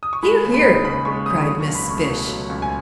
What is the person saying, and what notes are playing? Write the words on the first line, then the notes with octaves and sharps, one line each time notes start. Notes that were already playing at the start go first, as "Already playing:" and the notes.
"Hear! hear!" cried Miss Fish.
D#6
C#6
G#3 B5
D#2
B5
D#4
C#3 B5
G#3 C#6
D#2 D#6
F#3 D#6
C#6
C#2
B5
A3 C#6
B2 C#6
F#3
C#2
G#5